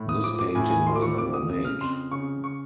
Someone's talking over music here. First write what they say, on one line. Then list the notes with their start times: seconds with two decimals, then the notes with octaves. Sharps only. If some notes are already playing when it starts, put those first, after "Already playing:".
This painting was never made.
Already playing: A2
0.09 D#6
0.24 F3 D6
0.40 D6
0.55 A2 G#5
0.71 G#5
0.87 F3 C6
0.95 D6
1.02 C#6
1.18 F2 D6
1.34 D#6
1.49 C#3 D#6
1.65 F6
1.81 F2 C6
2.12 C#3 C#6
2.44 C#6